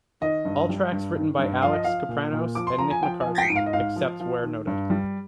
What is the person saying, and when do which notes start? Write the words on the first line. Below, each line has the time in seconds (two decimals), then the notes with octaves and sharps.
All tracks written by Alex Kapranos and Nick McCarthy, except where noted.
0.21 D#3 D#5
0.45 G2
0.69 G3
0.92 G2
1.15 D#3
1.39 G2
1.62 F3 F5
1.73 D#5
1.84 F3 F5
2.09 A#2
2.33 A#2
2.55 F3 D6
2.67 C6
2.78 F3 A#5
2.91 G#5
3.03 F3 G5
3.20 G#5
3.26 F3
3.38 G5
3.50 G#2
3.56 F5
3.66 D#5
3.73 G#2 F5
3.96 F3
4.20 F3
4.43 D#3
4.67 G2
4.90 G3